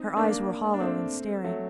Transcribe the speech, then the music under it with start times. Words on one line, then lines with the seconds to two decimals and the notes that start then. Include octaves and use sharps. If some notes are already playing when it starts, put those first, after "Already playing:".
Her eyes were hollow and staring.
Already playing: C4 D#4
0.17 A#3 D4
0.74 D4
0.80 A3 C4
1.44 F#3 A3